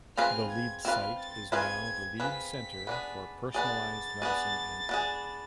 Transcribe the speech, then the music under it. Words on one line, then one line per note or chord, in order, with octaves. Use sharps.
The Leeds site is now the Leeds Centre for Personalised Medicine and Health.
C4 F4 G#4 B4 F5 F6
G#6
C4 F4 G#4 B4 F5 F6
A6
C4 F4 G#4 B4 F5 G#6
C4 F4 G#4 B4 F5 B6
B3 D4 G#4
B3 D4 G#4 A6
B3 D4 G#4
B3 D4 G#4